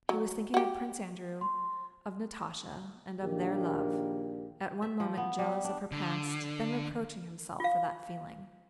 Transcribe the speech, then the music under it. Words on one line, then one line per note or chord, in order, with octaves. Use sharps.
He was thinking of Prince Andrew, of Natasha, and of their love, at one moment jealous of her past, then reproaching himself for that feeling.
F#3
F#4 G4
C6
A#1 D#3 A#3 D4 G4
E5
F3
B3
G3
D4
D3
F4 F5